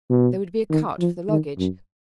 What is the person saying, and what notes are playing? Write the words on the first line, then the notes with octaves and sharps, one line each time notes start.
There would be a cart for the luggage.
B2
D#3
F3
D#3
F#2